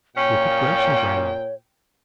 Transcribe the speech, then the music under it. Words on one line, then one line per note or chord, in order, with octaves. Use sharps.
Look at Grossengrannel.
A#2 C#4 C#5 G5